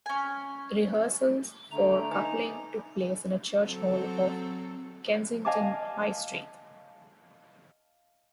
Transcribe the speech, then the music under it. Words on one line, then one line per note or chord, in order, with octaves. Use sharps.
Rehearsals for "Coupling" took place in a church hall off Kensington High Street.
C#4 G#5
D3 A3 A#5
D#4 B4 G#5
F#3 C4 A4
D#5 F5 G#5 A5 D6